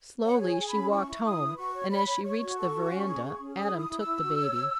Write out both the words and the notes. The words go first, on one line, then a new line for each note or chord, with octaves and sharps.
Slowly she walked home and as she reached the veranda, Adam took the baby.
C#5 F#5
G#4
G#5
G#4
C#4 B5
E4 C#6
E4
E4 D#6
B4
F#4 C#6
C#5
C#5 B5
C#5
C#5 C#6
F#4
A4
F#4
C#4
G#4
G#4
C#4
G#4 D#6
E4
D#6
E4
E6
E4
F#4
C#5
C#5